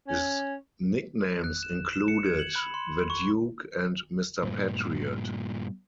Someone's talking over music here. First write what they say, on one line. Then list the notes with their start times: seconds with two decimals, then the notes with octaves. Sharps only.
His nicknames included "The Duke" and "Mr. Patriot".
0.08 C#4
1.44 F#6
1.63 E7
1.93 E7
2.08 C#7
2.26 G#6
2.39 F#7
2.56 B5
2.74 C6
3.10 C#6
4.43 G2 A#2